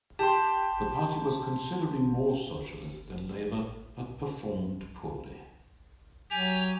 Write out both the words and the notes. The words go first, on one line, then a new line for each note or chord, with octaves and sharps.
The party was considerably more socialist than Labour, but performed poorly.
G4 A5 C6
F#3 G4 G#5 F7